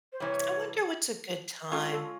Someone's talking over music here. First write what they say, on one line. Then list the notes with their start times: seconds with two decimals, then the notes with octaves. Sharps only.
I wonder what's a good time
0.13 C5
0.20 C3 E3 G3 C#5
1.72 G#3 C#4 F4 A4
1.91 A4